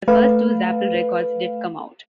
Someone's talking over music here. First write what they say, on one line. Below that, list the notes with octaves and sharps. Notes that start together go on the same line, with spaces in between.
The first two Zapple records did come out.
A3 B4 F5